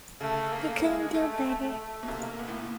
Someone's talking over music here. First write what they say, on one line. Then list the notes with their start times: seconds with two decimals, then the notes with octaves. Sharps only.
You couldn't do better.
0.20 C#3 A3
0.52 A#3
0.83 G#3
1.14 A3
1.60 A3
2.03 B2
2.08 C3 A#3
2.39 A#2 B3
2.48 A2
2.56 A#2